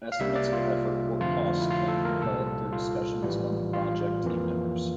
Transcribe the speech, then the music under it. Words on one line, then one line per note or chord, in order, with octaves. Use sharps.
Estimates of effort or cost can be developed through discussions among project team members.
F5
C2 C3 G3 A#3 E5
D5
F4
F2 D3 F3 A3 F4
E4
F4
A4
A#4
C2 A#2 G3 A4
F4
A#1 A2 E3 G3
F4
F2 E3 A#3